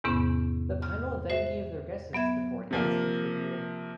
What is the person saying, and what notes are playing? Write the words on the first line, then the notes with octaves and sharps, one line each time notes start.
The panel then gave their guesses before an instant reveal.
E2 G#2 C3 B3 C#4
F6
F#4 C5 E5
F#3 B3 E5 G#6
C3 F3 A#3